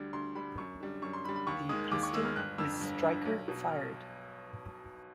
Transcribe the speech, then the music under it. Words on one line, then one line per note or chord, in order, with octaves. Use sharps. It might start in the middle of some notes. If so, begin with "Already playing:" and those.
The pistol is striker fired.
Already playing: D2 D3 G3
D2 C6
D3 G3 B5
F#2 C#6
D3 G3
F#2 C#6
C6
D3 G3 B5
B5
D#2 C#6
D#3 G#3 D#6
D#2 D6
C#6
D#3 G#3 E6
F6
G1 F#6
F2 D3 E6
G1
F2 D3
B1
B2 F#3
F6